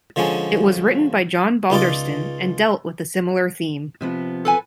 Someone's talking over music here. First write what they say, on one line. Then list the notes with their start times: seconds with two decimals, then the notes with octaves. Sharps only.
It was written by John Balderston and dealt with a similar theme.
0.16 D3 F3 G#3 C#4
1.70 C#2 D#4 F4 D5
4.01 C3 F3 B3
4.45 A4 B4 G#5